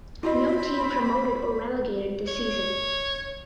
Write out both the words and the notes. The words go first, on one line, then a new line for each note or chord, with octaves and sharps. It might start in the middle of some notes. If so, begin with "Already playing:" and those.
No team promoted or relegated this season.
C4 E4 F#4 C5 D#5 B5
C#5